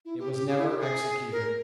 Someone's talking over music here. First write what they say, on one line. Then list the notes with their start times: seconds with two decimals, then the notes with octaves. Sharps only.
"It was never executed."
0.05 E4
0.19 G4
0.34 G4
0.47 G#4
0.58 E4
0.69 G4
0.79 G#4
1.32 A#4